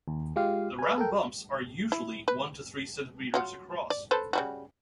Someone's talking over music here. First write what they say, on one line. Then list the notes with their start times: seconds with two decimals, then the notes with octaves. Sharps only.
The round bumps are usually one to three centimeters across.
0.08 D#2
0.36 G#3 F4 G4 F5
0.79 B4 G#5
0.98 A4 A#4 G5
1.92 E4
2.28 B4
3.34 F#3 F4 F#5
3.90 D5
4.11 A4 B4 C5
4.33 C#3 G3 F#4